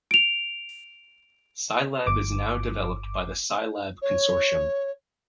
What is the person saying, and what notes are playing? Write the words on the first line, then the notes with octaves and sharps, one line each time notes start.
Scilab is now developed by the Scilab Consortium.
D7 F7
G1 D6
C#5